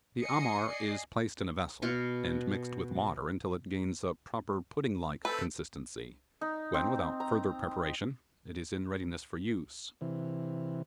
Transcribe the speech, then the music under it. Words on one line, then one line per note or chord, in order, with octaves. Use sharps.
The Amar is placed in a vessel, and mixed with water until it gains a proper pudding-like consistency, when, without further preparation, it is in readiness for use.
D#5 G#5 D#6 C7 C#7
D5 D#5 G#5 C7
B2 F5 C#6
A3 C4 A4 B4
D#4
C4
A#5
C3 E3